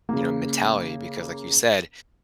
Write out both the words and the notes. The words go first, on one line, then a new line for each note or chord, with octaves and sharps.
you know, mentality because like you said,
C#3 A#3